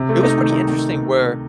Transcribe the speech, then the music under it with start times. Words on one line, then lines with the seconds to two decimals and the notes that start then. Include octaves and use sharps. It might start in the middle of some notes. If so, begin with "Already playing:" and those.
it was pretty interesting where
Already playing: C3
0.09 A3
0.23 D#4
0.38 D#3
0.52 D#4
0.68 D#3